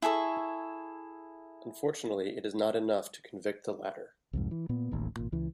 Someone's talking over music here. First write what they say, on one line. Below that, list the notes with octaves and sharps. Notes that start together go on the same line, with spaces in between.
Unfortunately, it is not enough to convict the latter.
E4 G#4 A4 C#6
C2 F2 G#2
E3
A#2 B3
D1 A1 D#2
G#1 A#2
C#2 E3